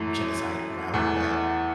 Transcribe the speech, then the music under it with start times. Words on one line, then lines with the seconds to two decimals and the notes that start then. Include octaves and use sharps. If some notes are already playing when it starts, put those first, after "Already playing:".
genocide route, but
Already playing: F#2 E3 A3
0.94 E2 E3 A3